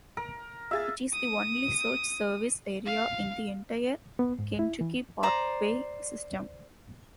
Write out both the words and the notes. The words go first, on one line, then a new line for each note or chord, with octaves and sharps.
It is the only such service area in the entire Kentucky parkway system.
A#4
F4 G#4 E5 A6
D#6
F5
B3
G#2
E4
E3
C5 D5 A#5